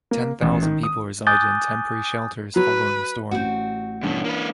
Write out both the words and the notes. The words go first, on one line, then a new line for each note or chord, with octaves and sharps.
Ten thousand people resided in temporary shelters following the storm.
A#3
A1
D#3
D#6
G#5 D6 D#6 F#6 G6 A6
F#3 B4
A1 C4 F#4
G2 B2 E3 C#4 D4
A#3 B4